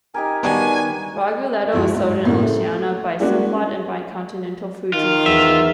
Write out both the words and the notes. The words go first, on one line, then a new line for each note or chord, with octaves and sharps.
Raguletto is sold in Oceania by Simplot and by Continental Foods in Finland.
D#4 G4 A#4 G#5
D#3 G3 B3 D4 F#4 G#5
D2 E3 F3 G#3
G#2
A2 C#3 G3 A#3 B3
A3
G3 G#3 A#3 C#4 D4 F#4
D#3 F4
E2 E5